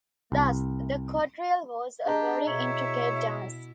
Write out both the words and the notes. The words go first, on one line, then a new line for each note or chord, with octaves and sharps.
Thus the quadrille was a very intricate dance.
C2
D4 G4 G#4 D#5 A#5
B2 E4 C#5 E5